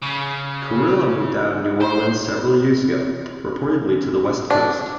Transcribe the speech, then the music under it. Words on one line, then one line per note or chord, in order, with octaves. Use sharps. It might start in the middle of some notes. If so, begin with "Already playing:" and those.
Carrillo moved out of New Orleans several years ago, reportedly to the West Coast.
C#3
C5
D4